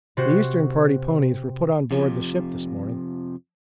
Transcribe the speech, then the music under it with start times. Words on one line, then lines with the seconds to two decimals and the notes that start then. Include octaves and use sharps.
The Eastern Party ponies were put on board the ship this morning.
0.17 C3 F#4 C5
1.91 F2 C3 F3